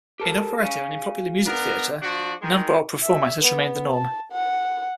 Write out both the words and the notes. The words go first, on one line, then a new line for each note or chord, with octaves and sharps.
In operetta and in popular music theatre, number opera format has remained the norm.
G4 A4 A#4
G#4 F5 G#5
B3 D4 A#4
F3 D4 F#4
D#3 G#3
E5
B3
A5
F#5